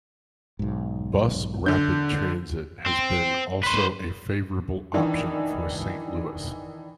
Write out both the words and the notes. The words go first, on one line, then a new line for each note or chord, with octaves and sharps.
Bus rapid transit has been also a favorable option for Saint Louis.
B1 G#2
D3 D4 G6
C4
B4 C5
D#3 E3 D4 D#4